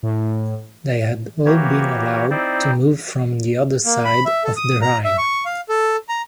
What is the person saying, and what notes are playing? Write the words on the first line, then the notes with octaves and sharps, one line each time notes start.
They had been allowed to move from the other side of the Rhine.
A2
E3 A#3 F#4 G4 C#5
C4 D#4 E4 C5 D5
A#3
B5
E5
A4
D#6
A#5
E5
C#6
F5
A4
A#5